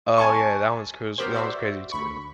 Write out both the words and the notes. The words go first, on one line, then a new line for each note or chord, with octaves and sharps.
Oh yeah, that one's cruz that one's crazy too.
G#5 A5 C#6
B3 G4 A#4 C5 G5
F#4 C5 D5 E5
D2 B5 C#6